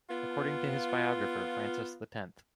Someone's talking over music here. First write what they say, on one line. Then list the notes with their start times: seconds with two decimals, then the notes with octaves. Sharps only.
According to his biographer Francis the Tenth.
0.10 B3 F4